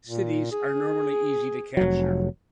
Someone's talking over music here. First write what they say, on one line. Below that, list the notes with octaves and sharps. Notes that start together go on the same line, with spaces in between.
Cities are normally easy to capture.
A#2
G#4
F1 F#3